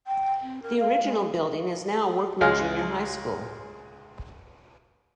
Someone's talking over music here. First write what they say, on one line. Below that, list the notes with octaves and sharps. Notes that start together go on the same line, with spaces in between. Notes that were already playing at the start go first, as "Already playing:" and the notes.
The original building is now Workman Junior High School.
G5
C4
A#4
F5
G#3
C#2 G#3 F5